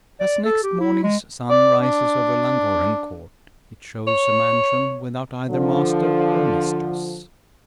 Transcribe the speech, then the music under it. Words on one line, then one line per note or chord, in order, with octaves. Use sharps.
As next morning's sun rises over Llangorren Court, it shows a mansion without either master or mistress!
D5
A4
G4
E4
G#3
D5
D4
C#5
D3 F3